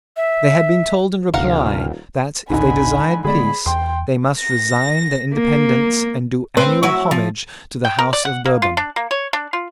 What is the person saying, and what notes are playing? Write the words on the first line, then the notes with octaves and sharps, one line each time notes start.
They had been told in reply that, if they desired peace, they must resign their independence and do annual homage to the House of Bourbon.
E5
D#1 D2 C3 D4 A#4 F5 F#5 F6
A1 D2 G#2 D3 D4 D#4 G#5 B5
D3 G#3 B3 G#4 D5 B5
E2 G5 C6
A#6
A#3
C4 B4 C5
F#3 E4
F3
G5
A#4
D5
F#5
A#3
F4
D4
A#3
C#5
D4
F4